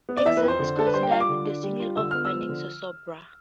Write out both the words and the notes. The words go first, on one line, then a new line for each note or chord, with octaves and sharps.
"Exiled" is considered the single of "Burning Sosobra".
B3
D5
E3 E5
B4
F2
C5
D3
D4 A4
B4
G3 C5
G5
F4 F5
D6
D3
D4
G3
F4
D3 E6
B3 F6
E6
F3
D3